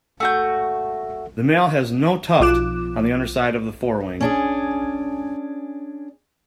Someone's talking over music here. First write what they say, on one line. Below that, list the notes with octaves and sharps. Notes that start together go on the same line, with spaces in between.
The male has no tuft on the underside of the forewing.
A3 F#4 G6
B1 F3 F4 D6 F#6 E7
C#4 D4 G#4